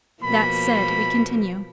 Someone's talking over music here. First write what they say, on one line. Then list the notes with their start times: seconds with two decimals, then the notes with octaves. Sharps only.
That said, we continue.
0.23 B2 F3 A#3 B5